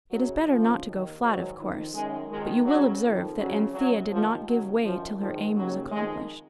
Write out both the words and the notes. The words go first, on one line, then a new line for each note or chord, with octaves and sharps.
It is better not to go flat, of course, but you will observe that Anthea did not give way till her aim was accomplished.
F#2 C#3 F#3
F2 C#3 F3
D#2 D#3
G#2 D#3 F#3
F2 D#3
F#2 D#3 G#3
F2 D#3 G#3
F2 C#3 F#3
F2 D#3
F2 C#3 F#3
F#2 C#3 F#3
D#2 D#3 F3
D#2 C#3 F#3
F#2 D#3 F3
G#2 D#3 F3
D#2 C#3 F#3
F2 D#3 G#3